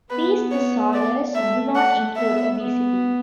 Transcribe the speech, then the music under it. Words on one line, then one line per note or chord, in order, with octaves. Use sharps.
These disorders do not include obesity.
B3 B4
C#5
D5
A3 E5
F#5
B3 E5
B3